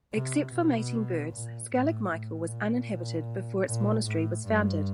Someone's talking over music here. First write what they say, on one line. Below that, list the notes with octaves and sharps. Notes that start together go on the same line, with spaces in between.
Except for mating birds, Skellig Michael was uninhabited before its monastery was founded.
C3
B2
A#2
A2
A2
A#2
A#2
A2
G2